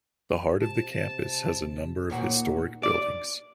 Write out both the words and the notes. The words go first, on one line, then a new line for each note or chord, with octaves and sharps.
The heart of the campus has a number of historic buildings.
C3 A5
D#2 A#2 F#4
D5